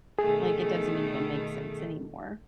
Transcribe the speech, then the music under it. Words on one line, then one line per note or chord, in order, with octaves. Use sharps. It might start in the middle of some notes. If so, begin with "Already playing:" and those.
Like, it doesn't even make sense anymore."
B2 D#3 A3 G#4